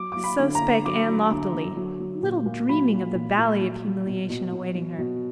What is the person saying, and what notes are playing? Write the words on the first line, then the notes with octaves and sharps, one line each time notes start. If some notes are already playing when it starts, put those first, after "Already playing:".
So spake Anne loftily, little dreaming of the valley of humiliation awaiting her.
Already playing: F#3 D6
F#3 D6
B5
D3
A#5
D3
F#3 D6
F#3
D3
D3
F#3
F#3
A#2
A#2
F#3 B5
F#3
A#2
A#2
F#3
F#3
B2
B2
F#3
F#3
B2